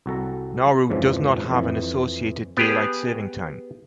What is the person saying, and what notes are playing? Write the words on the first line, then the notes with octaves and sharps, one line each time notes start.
Nauru does not have an associated daylight saving time.
C2 F#4 A4 A#5
F2 G#2 C#3 E3 F3
F2 E3
B3 G4 G#4